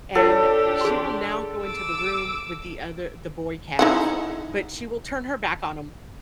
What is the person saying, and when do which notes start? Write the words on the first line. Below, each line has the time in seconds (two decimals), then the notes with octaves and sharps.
and she will now go into the room with the other the boy cats, but she will turn her back on 'em
0.15 D4 F4 G4 A4 C#5
0.81 G#4 C6
1.65 D6 E6
3.79 D#4 E4 F#5